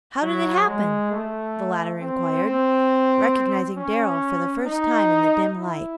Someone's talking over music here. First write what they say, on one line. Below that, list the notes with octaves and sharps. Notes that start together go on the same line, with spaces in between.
"How did it happen?" the latter inquired, recognizing Darrell for the first time in the dim light.
F#3
G#3
A3
C4
C4
C#4
D#4
E4